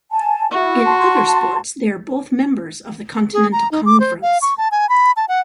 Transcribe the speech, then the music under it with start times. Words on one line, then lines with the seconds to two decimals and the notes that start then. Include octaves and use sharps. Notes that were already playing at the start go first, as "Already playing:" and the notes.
In other sports they are both members of the Centennial Conference.
0.12 G#5 A5
0.51 E4 F#4
0.84 A5 C6
3.33 G#4
3.52 A#5
3.71 D#4
3.86 D6
4.00 C5
4.22 F5
4.42 C#6
4.58 A5
4.71 G#5
4.89 B5
5.17 A5
5.28 F#5